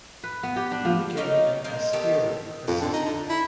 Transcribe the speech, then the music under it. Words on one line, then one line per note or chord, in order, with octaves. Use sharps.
He became an austere Franciscan.
B4
B3
G4
D4
F3
C#4 D#4 G4 A#4
G#3 A#4 C5
D#3 B3 G4 A4
F2
D3
D#4
D3
E4